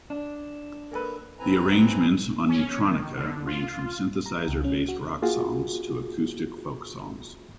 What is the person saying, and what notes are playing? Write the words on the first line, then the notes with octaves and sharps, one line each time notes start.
The arrangements on "Neutronica" range from synthesizer-based rock songs to acoustic folk songs.
D4
A#3 A4 B4
F#2 C4 E4 B4 G#5 A#5
C#4
D#3
D3
F4
A#5
C#2
C#4
F#4
A#3 F4 F#4 G#4